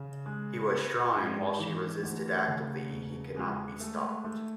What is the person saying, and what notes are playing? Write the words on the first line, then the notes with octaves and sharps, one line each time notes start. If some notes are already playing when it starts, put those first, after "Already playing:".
He was strong and while she resisted actively he could not be stopped.
Already playing: C#3
G#3
B3
G#2
E3
D2
C#3
E1
G#3
A3
A3